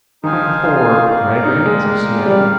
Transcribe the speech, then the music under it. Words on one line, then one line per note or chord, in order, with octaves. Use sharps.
The four red rains of Siena.
D#3 D#4 G#4 C5 F5 G#5
F3
F4
G4 A#4 D5 F5
D#4
G#3
G4 A#4 D5 F5
G3